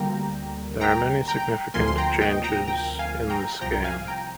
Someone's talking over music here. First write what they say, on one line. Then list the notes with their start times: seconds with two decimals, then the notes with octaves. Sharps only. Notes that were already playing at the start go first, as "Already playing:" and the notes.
There are many significant changes in this game.
Already playing: D2 D3 G3 A#3 G5 A#5
0.81 G5 A#5
1.28 G5 A#5
1.74 D2 C3 F3 A#3 G#5 C6
1.88 C6
1.98 G5 A#5
2.21 D#5 G5
2.44 G5 A#5
2.68 G5 A#5
2.99 F5 G#5
3.30 G5 A#5
3.61 C2 C3 F3 G5 A#5
3.84 F5 G#5
4.07 G5 A#5